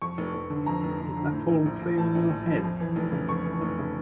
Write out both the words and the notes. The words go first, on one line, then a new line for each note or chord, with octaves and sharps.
Is that all clear in your head?
F2 C#6
F1
F1
D3
F2 A#5
F1
F1
D3
A2
A#1
A#1
F3
A2 A5
A#1
A#1
F3
F2
E3
F1
C#3
F2 C#6
E3
F1
C#3